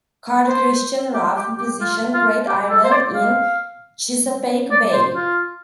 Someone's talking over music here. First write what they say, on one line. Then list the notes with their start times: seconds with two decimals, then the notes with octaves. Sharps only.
Carl Christian Rafn positioned Great Ireland in Chesapeake Bay.
0.48 C5
1.14 G4
1.36 G4
1.58 G4
1.81 F4
2.14 F4
2.48 G4
2.70 A4
2.84 C5
2.92 D5
3.15 F5
4.71 D5
4.93 C5
5.16 F4